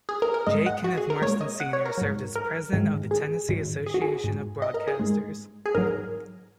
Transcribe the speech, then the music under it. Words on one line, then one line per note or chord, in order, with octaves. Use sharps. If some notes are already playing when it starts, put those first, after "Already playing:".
J. Kenneth Marston, Senior served as President of the Tennessee Association of Broadcasters.
G#4
A#4
A#4
G#2 G#3 D#5
F#5
F#4
G#4
A#4
A#2 G#3 C#5
D#5
F#5
C#5
A#4
G#2 F#3
A#4
G#2 D#3 G#3
G#4
G#2 D#3 F#3
G#4
F#4
G#4
G#2 G#3
D#5
A#4
G#4
G#2 G#3
G#4
G#2 F#3 A#4